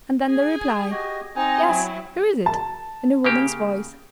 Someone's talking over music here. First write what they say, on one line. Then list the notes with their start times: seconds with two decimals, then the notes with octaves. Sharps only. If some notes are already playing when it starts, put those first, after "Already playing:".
And then the reply, 'Yes, who is it?' in a woman's voice.
0.23 G#4 G#5
0.91 F#4 G4 D#5
1.36 C4 D#4 D#5 G#5
1.65 F#3 E4
2.46 A5
3.24 C#3 A#3 G4